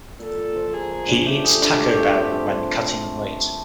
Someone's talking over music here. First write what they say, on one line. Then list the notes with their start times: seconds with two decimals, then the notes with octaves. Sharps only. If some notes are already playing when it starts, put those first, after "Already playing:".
He eats Taco Bell when cutting weight.
0.19 A#2 A4
0.38 A#2
0.56 F3
0.73 A#3 G#4
0.91 A#3
1.09 D4
1.26 A3 G4
1.44 G#4
1.62 D4
1.79 A3 G4
1.97 A3
2.15 C4